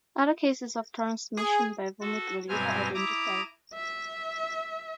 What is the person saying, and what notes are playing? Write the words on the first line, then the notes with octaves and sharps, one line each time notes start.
Other cases of transmission by vomit were later identified.
G#4
F#4 A4
G2 B2 F#3 C4 G#5 F6
E4 A#5 D6 D#6
E5